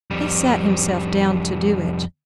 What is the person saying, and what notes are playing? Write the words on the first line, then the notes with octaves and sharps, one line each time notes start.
He sat himself down to do it.
F2 G3